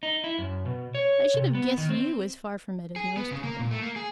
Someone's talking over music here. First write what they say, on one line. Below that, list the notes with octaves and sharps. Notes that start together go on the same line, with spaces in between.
I should have guessed you as far from it as most people.
D#4
E4
F#2
B2
C#5
C3
B3
D#3
C4
G#4
B3
C#3
A#3
A#2
A3
A#3
G#4